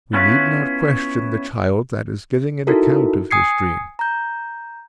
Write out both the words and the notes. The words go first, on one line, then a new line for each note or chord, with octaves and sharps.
We need not question the child that is giving an account of his dream.
B3 C#4 E4 F4 B4
D#4 E4 F#4 A4 A#4
G#5 D#6 G#6 C7 C#7
A#5 G6